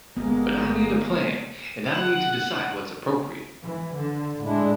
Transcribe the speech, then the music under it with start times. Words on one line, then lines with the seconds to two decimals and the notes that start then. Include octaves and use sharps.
But I need a plan, and I need to decide what’s appropriate.
0.17 G1 G#3 A#3 B3
1.89 F#5
3.64 E3
3.95 D3
4.43 A2 G#3 D4 E4